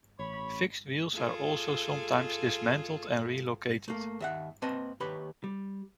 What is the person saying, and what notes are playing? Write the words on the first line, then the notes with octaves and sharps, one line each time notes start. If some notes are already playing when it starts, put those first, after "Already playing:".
Fixed wheels are also sometimes dismantled and relocated.
A1 C#5 B5
F4 G#4 A4
A3 A#3
D#2 E5 F#5
A#3 C4 B4 D#5 A5
D#2 G4 B4 C#5 B5
G3